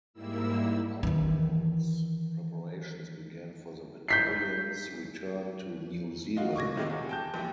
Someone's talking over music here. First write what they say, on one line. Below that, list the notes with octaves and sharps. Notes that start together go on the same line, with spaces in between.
Afterwards, preparations began for the battalion's return to New Zealand.
G#2 G3 A#3 E4 E6
D#3 E3
G6 B6 C7
D#4 F4 F#4 F5
C#6 D6 G#6 A#6
A2 C3 D#3 G#3 A3 F4
E2 C3
G5 A5 G6
A#1 E3 G4